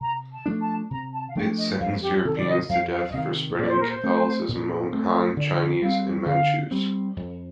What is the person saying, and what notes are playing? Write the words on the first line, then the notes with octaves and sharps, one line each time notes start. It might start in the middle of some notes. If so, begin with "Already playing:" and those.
It sentenced Europeans to death for spreading Catholicism among Han Chinese and Manchus.
C3 A#5
A5
F3 A3 D4
A5
C3 A#5
A5
F5
F3 A3 D4 G5
D#5
F2 F5
G4
C3 D#3 A4
D5
D#5
F2 F5
F5
D#5
C3 D#3 F5
A#2 D5
C5
A#4
C5
A3 C4
A#2
A3 C4
D3 D5
G3 C4 F5
D3 F5
G3 C4
F2